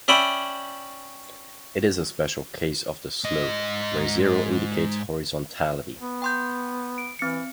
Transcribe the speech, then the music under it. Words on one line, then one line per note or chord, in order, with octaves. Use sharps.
It is a special case of the slope, where zero indicates horizontality.
C#4 D5 E5 G5 B5 D#6
G#2 D#5
B3
G5 C6 G6
D7
E3 C4 C#7